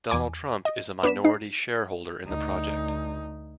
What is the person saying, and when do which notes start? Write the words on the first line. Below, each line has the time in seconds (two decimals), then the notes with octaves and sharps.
Donald Trump is a minority shareholder in the project.
0.10 E2 G#5 D6
0.65 D#5
1.03 B3 D4 B6 E7
1.24 D#4 C7
2.25 D2 D#4